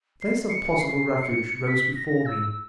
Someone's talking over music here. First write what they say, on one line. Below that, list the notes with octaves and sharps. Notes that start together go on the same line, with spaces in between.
The place of possible refuge rose before me.
C7
C#7
C7
C#7
B6
A#6
E6